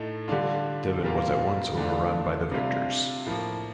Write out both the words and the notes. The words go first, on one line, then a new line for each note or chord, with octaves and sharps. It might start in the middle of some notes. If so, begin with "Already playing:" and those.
Devon was at once overrun by the victors.
Already playing: A2 A3 D#4
D3 G3 D4 F4
A#2 G3 A#3 F4
D3 A3 D4 F4
C3 G3 D4 F4
A2 F3 A#3